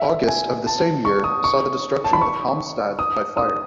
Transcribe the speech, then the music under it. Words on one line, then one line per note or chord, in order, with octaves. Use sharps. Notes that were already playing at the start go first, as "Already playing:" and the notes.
August of the same year saw the destruction of Halmstad by fire.
Already playing: E5
G#5
A5
C#6
D#6
C#6
A5
B5
C#6
D#6
D#6